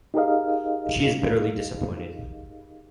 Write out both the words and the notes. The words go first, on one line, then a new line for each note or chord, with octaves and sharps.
She is bitterly disappointed.
D#4 G4 G#4 A#4 D#5 F5